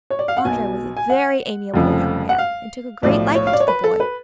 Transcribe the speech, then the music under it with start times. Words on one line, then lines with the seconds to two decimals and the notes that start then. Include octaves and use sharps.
Andre was a very amiable young man, and took a great liking to the boy.
0.10 C#5
0.19 D5
0.28 F5
0.37 F#5
0.45 B1 B2 G#5
0.97 G#5
1.10 F#5
1.74 F1 F2 C#3 F3
2.29 F#5
2.38 F5
3.02 B1 A2 F3 D5
3.35 C#5
3.47 F5
3.53 D5
3.60 C#5
3.68 B4
3.84 A4
4.00 B4